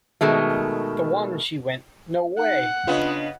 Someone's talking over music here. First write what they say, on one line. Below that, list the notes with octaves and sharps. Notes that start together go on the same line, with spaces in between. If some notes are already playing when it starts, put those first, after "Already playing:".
The one she went.. no way!
B2 D#3 G#3 A3
D#4 F#5
C#3 B3 D4 F4 D#5